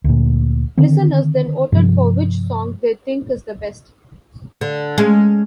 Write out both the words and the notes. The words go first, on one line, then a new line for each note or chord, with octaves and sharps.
Listeners then voted for which song they think is the best.
D2 A#2
D3 D#3 C4
G2 C3 F3
D3
G#3 C#4